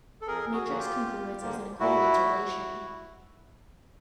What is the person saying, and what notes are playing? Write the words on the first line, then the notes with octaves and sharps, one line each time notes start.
Matrix congruence is an equivalence relation.
A4
F2 G#4 A#4
F#4 G#4
D3 F3 A#3 G#4
F4 G4
F2
D3 F3 A#3
A#2 E4 F#4
F3
A3